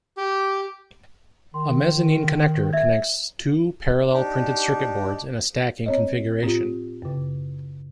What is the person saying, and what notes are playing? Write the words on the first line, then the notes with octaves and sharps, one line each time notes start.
A mezzanine connector connects two parallel printed circuit boards in a stacking configuration.
G4
D#3 C6
E5 G#6
D4 D#4 G4
C4 C#5 D#5
A2 C4 F4
F#2 C#3